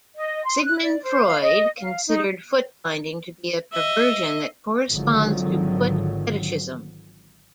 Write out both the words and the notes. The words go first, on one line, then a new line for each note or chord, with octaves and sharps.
Sigmund Freud considered footbinding to be a "perversion that corresponds to foot fetishism".
D#5
C6
F#6
D5
C5
F5
D#5
F5
D#4
D#5 E5
G#1 D3 D#3 F3 F#3